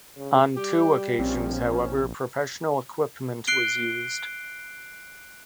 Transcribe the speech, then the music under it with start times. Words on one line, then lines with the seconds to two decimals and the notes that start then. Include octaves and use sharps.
On two occasions, however, professional equipment was used.
0.17 C#3
0.56 G3 G4
1.19 A#1 F3 C4 C#4
3.47 F#6 C7 D7 G7